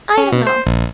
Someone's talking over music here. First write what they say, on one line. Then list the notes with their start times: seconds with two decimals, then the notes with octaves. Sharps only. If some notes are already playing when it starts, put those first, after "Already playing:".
I don't know.
0.18 C#4
0.32 B2
0.47 C5
0.66 A#1